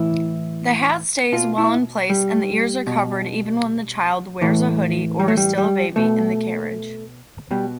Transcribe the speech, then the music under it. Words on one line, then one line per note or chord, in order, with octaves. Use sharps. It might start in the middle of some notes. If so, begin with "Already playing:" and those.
The hat stays well in place, and the ears are covered even when the child wears a hoodie or is still a baby in the carriage.
Already playing: A2 E3 E4
B2 F4
E4
G3
B2
A2 E3
G3
A3
G3
G3
B2 A3
B2 G3